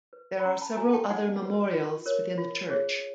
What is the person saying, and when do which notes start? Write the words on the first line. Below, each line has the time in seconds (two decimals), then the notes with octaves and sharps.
There are several other memorials within the church.
0.13 B4
0.40 B5
0.45 C#4 A#5 C6
0.62 A5 B5
0.77 F#4 A4 G#5 A#5
0.93 G5 A5
1.10 D#4 F#5 G#5
1.42 F#4 B4
1.73 F4
2.06 A#4 C#5
2.38 F4
2.70 G#4 C#5